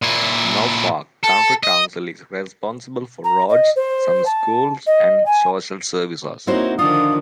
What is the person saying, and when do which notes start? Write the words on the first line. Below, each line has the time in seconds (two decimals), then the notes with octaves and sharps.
Norfolk County Council is responsible for roads, some schools, and social services.
0.02 A#2 E4
1.24 A4
1.63 D#5
3.24 A#5
3.49 D#5
3.75 C5
4.25 A5
4.86 D#5
5.25 G#5
6.47 A#3 C4 D#4 E4 F#4 C5 C#5
6.79 D3 D#3 F3 D4 F4 D#6